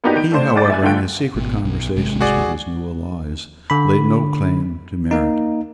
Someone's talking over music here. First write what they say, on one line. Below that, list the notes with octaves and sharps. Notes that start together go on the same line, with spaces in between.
He however, in his secret conversations with his new allies, laid no claim to merit.
A#3 B3 D4 D#4 F#4 G4
D#3 G6 D7
A3 D4 C5
A2 G#4 D5 D6 A6
E5 G#5 F#6
D3 A3 F4 F#5 G5 D7
G#1 B2
B1
G#1 C3 G#3
F#4 G#4 D5
D3 B5
A#3 D#4